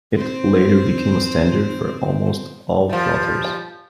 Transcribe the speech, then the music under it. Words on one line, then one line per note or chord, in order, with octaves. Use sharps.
It later became a standard for almost all plotters.
C4 C5
F3 G3